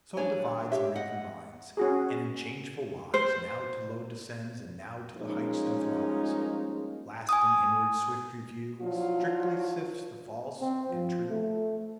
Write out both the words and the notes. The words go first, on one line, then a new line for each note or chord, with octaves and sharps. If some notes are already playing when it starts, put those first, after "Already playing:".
So divides and recombines, And in changeful wise Now to low descends, and now To the height doth rise; Last in inward swift review Strictly sifts the false and true?
D#2 D4 C#5 G#5
G4 C#5 E5
D#5 F#5
C#4 F#4 G#4
C5
F3 G3 G#3 A#3 C#4 D#4
G#5 D#6
F3 F#3 D4 E4 F4
C4
F3
A3